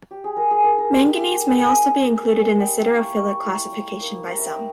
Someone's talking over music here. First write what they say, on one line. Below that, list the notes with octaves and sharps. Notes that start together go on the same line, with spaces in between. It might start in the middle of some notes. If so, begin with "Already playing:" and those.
Manganese may also be included in the siderophilic classification by some.
G4
G#4
G#3 A#4
G#4
D#4 A#4
A#4
G#3 G4
D#4
G#3 G#4
B3 D#4
G#3 A#4
A#4
B3 D#4
D#5
G3 G5
G5
A#3 E4
C#6
G3 C#6
A#3 E4
G3
A#3 D#4
G3 A#5
E5
G5
D#4